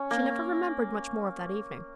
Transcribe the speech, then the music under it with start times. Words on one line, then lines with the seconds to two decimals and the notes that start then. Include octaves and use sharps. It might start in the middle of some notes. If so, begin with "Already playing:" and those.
She never remembered much more of that evening.
Already playing: C#4
0.11 A#3